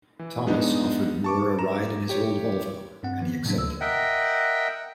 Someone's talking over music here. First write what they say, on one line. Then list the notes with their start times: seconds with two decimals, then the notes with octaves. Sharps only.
Thomas offered Moore a ride in his old Volvo and he accepted.
0.19 E3
0.47 G#3 B3 D4 D#4
1.24 A5 C#6 D6
1.59 A#5 E7
2.09 G4 C#5
3.03 G2 C4 F#5
3.19 D#3 F3 B3
3.45 A2 C3 F#3 A#3 D4
3.58 D2 D3 E6
3.81 A#4 D#5 E5 F#5 G5